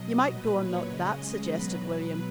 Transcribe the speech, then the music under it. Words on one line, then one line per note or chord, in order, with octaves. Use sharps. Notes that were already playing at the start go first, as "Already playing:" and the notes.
"You might go an' milk that," suggested William.
Already playing: B2 F#3 D#5
A#2 F#3 B4
C#5
C#3 G#3 D#5
B2 F#3 B4